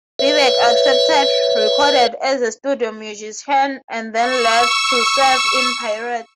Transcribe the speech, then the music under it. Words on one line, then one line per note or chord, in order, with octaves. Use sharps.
Bebek accepted, recorded as a studio musician, and then left to serve in Pirot.
B4 C#5 E5
C#6 E6